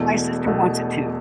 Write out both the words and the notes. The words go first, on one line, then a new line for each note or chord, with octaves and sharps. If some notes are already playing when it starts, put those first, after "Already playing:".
My sister wants it too.
Already playing: E1 E2 B2 A3
E1 E2 B2 A3